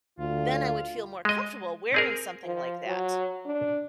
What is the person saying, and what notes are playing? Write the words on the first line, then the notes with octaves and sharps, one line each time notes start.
then I would feel more comfortable wearing something like that.
D2 F4
G#3 D#5
C4 G#4 A#4
F3
F#3
D4